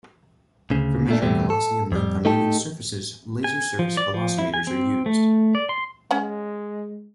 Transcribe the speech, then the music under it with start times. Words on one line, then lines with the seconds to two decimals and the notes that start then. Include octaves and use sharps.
For measuring velocity and length on moving surfaces, laser surface velocimeters are used.
0.70 D2 C#3
1.08 A#2 A3 D4
1.22 E2 B2 G3 A3 C4
1.50 A4
1.92 F2 G3
2.25 A3 D#4 G4 A4
3.44 G#5
3.79 F3
3.97 D5
4.14 F3
4.38 E4
4.54 G#5
4.67 C4
5.06 A3
5.55 D5
5.69 C6
6.11 G#3 C#4 F#5